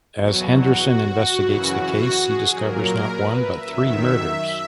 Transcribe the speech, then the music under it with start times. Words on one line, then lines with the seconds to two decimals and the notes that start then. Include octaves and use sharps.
As Henderson investigates the case, he discovers not one but three murders.
0.16 E2 B2 F#3 F#4
0.45 F#4
1.32 F#2 C#3 E3
1.90 F#4
2.20 G#4
2.48 A#2 F#3 A#4
3.05 B4
3.35 E5
3.64 F#2 D#3 F#3